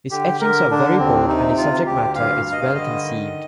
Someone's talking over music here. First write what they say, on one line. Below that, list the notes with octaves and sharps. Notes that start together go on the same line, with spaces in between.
His etchings are very bold and his subject matter is well conceived.
D3 G4
D3 A#4
D3 D4
D#2 C4
C3 D#4
D2 F4
D2 G4
G2 F5
G2 F5
D#5
F5
D3 D#5
D#3